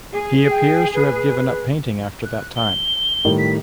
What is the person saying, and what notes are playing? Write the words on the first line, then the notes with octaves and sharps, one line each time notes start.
He appears to have given up painting after that time.
G#4
G5
B4
F#6
G7
A2 D#3 G3
B6